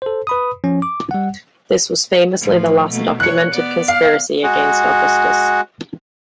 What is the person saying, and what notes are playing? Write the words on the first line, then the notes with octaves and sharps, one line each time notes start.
This was famously the last documented conspiracy against Augustus.
A4 C5
B4 B5 D#6
F3 C#4
D6
G3 F#5
A2 F3
B2 A3 A#3
E3 C#5 F#6 C#7
B3 D5
F5
G#3 F#4